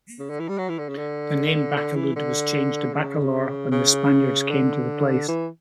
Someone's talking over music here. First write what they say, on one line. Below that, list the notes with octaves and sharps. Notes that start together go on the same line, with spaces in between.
The name Baculud was changed to Bacolor when the Spaniards came to the place.
C#3
D3
E3
G3
F#3
E3
D3
C#3
D3
D3
E3
D3
C#3
C#3
D3
E3